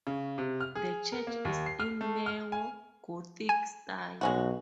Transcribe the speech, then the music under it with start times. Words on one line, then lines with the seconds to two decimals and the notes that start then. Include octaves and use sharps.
The church is in neo-Gothic style.
0.07 C#3
0.38 C3
0.61 F6
0.75 G#4
1.12 A#4
1.27 A#3
1.45 D#2
1.66 C7
1.80 F6
2.01 A3
2.26 F6
2.52 G#5
3.49 G#5
4.21 B1 G#3 C#4 F#4